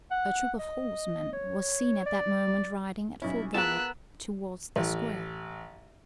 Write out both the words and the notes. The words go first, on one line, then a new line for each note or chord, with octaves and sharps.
A troop of horsemen was seen at that moment riding at full gallop towards the square.
F#5
D#5
C#5
D5
B1 C#4 E4
B3 F4 G#4 A#4 A5 E6 F#6
A1